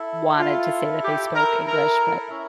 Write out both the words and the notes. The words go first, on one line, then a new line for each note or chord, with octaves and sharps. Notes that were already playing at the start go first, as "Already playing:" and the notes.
wanted to say that they spoke English, but
Already playing: E4 A4 E5
F4
G4
A#4
A#4
C#4 E4